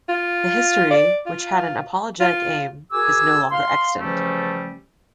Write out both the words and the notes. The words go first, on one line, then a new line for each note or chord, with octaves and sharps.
The history, which had an apologetic aim, is no longer extant.
F4
D5
F4
F4
F#4 G#4 A#4 G#5 D6 E6
F5 C6
C#3 E3 F3 G3 A3 C#4